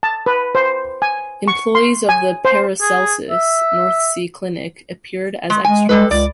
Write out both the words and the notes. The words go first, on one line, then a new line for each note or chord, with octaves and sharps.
Employees of the Paracelsus North Sea Clinic appeared as extras.
A5
B4
C5
G#5
C#6
C6
G#5
C5
G#4
E5
G#3
G#3 G#5
G3 G#3 A4 B4
C#2 D5